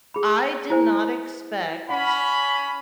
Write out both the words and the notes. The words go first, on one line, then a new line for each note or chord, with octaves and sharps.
I did not expect
G#4 B5
E4 C5 G#5
C#4 F#5 B5